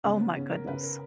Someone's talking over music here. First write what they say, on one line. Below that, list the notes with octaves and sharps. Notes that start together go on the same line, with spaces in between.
Oh my goodness.
C#3 B3
B3
C#3 C#4
A#4
C#3 B4
A#4